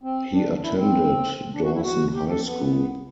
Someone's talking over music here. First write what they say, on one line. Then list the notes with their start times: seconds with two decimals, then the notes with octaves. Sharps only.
He attended Dawson High School.
0.03 C4
0.33 D4
0.63 E4
0.78 C4
1.54 D4
1.63 F#4
1.74 E4
1.83 F#4
2.15 G4
2.30 A4
2.44 B3